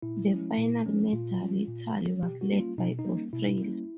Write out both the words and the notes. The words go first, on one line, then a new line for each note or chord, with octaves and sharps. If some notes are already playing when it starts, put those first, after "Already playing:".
The final medal tally was led by Australia.
A#2 E4
F3 G#3 C#4
A#2
F3 G#3 C#4
A#2 F4
F3 G#3 C#4
A#2
F3 G#3 C#4
B2 G4
F#4
G3 A#3 C#4
F4
B2 D#4
D#4
G3 A#3 C#4
B2 E4
G3 A#3 C#4